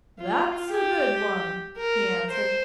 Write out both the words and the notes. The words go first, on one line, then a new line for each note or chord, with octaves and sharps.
'That's a good one,' he answered.
F4
G4
A#4
C5